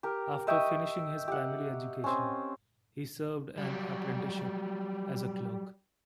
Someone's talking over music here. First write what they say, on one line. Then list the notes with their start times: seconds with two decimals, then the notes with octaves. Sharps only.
After finishing his primary education, he served an apprenticeship as a clerk.
0.03 G4 A#4
0.47 D#5 E5 G5 C#6
1.28 G4 F#5
2.04 C4 C#4
3.58 F#3 G3